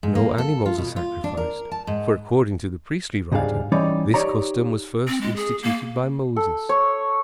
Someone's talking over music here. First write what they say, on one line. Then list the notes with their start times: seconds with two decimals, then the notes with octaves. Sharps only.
No animals are sacrificed, for according to the priestly writer this custom was first instituted by Moses.
0.03 G#2
0.15 A#3
0.38 A4
0.66 F4
0.78 B2
0.96 F4
1.24 D4
1.37 A#4
1.72 A5
1.87 G#2
3.32 C#2 G#2 G3 D4 G#4 F5
3.72 E3 G3 C#4 D#4 C#5 D5
4.14 D#4 G4 C#5 D5 A#5
5.08 C4
5.21 G#3
5.36 G#4
5.63 A#3
6.36 A4
6.69 C#5